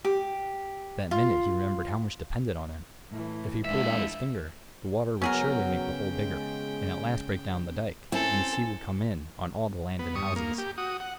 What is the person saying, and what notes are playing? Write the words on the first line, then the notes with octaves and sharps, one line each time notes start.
But that minute he remembered how much depended on him; if he pulled out his finger, the water would surely make the hole bigger, and at last break down the dike, and the sea would come in on all the land and houses.
G4
F4
A2 E3
F2 E3 G#3 D4 E5
C#3 F#3 B3 C#4 G#4 A#4 G5
G#3
C4 C#4 E4 A4 G#5
B3
G2 C#6 D#6
A#3
G4
F#4 D#6
F#5